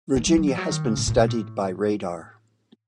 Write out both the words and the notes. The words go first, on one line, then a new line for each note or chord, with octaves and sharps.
Virginia has been studied by radar.
D#3
F#3
F#3
E3
F#3
D#3
C#3
A2
A2
B2
A2